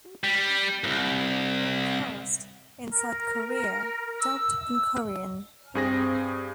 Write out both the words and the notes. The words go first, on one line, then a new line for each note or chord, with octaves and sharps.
Super Sentai has been broadcast in South Korea, dubbed in Korean.
G3
C2 F#2
A#4
E6
G2 C4 G#4 A#6